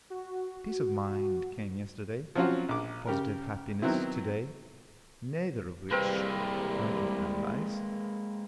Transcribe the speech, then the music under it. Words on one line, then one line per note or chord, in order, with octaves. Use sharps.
Peace of mind came yesterday, positive happiness to-day, neither of which I can analyze.
F#4
F3 F#3 C4 C#4 F4 F#4
A#1 D6
C#3 G4 A#4
D#3 F#3 B3 C4 E4
C2 G3 G#3 A#3 C4 A#4 B4